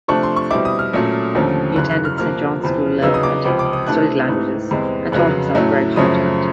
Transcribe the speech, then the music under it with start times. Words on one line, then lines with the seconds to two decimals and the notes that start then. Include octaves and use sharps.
He attended Saint John's School, Leatherhead, studied languages and taught himself Gregg Shorthand.
0.08 C3 F3 A3 D4 C#6
0.23 C6
0.36 C#6
0.51 B2 G3 C4 E4 D6
0.65 D#6
0.79 F6
0.93 A#2 F#3 A3 C#4
1.35 D#2 D3 F3 A3 C#4
1.76 F#2 C#3 E3 F#6
1.91 F#6
2.05 F6
2.18 C3 F3 A#3 F6
2.61 E2 C3 F3
3.02 C#3 F#3 B3 D#4 E6
3.14 D#6
3.23 D6
3.44 C#2 C3 F3 D6
3.59 D6
3.73 D#6
3.87 C3 E3 A3 D4 F#6
4.28 G#2 E3 A3
4.71 E2 C3 E3 G#3 C4
5.12 F2 C#3 F#3 B3 F#6
5.55 A2 F#3 A3 C#4 E4
5.96 F#2 C#3 F3 A3 C#4 D#6